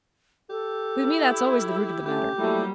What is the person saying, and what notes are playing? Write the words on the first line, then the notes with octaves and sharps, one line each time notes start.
With me that's always the root of the matter.
G4 A4
E4
A3 C#4 G4
F#3 G3 A3 A#3 E4